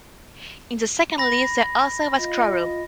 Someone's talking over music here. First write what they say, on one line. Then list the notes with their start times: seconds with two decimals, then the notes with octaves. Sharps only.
In the second list there also was quorum.
1.18 B5 A#6
2.18 F4 D#5